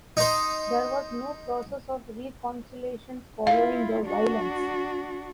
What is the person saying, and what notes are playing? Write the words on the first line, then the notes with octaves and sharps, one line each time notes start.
There was no process of reconciliation following the violence.
D#4 C5
E4 F4 F5
D4 F#4